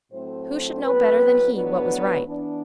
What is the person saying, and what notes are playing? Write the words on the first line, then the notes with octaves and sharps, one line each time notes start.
Who should know better than he what was right?
A2 F#3 A3 C4 C5
A2 F#3 C4 B4
A2 F#3 B3 D4 B4
E3 B3 D4